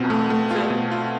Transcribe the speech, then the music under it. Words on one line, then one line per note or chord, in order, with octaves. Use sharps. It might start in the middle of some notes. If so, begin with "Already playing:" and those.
um, so
Already playing: B2 C4 F4
A3
A3
F4
B2
F4